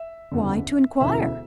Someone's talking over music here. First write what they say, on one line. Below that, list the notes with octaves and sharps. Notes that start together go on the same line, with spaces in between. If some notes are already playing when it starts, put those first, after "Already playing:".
"Why, to inquire."
Already playing: E5
F#1 E2 D3
E1 D2 C#3 E3 E5